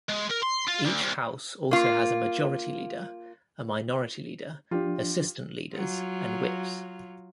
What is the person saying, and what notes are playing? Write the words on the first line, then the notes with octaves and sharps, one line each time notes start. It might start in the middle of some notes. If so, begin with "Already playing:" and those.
Each house also has a Majority Leader, a Minority Leader, assistant Leaders, and whips.
G#3
A#4
C6
F4
D2
C2
A#3 F4
F3 D4 F4 G4
F#3 F4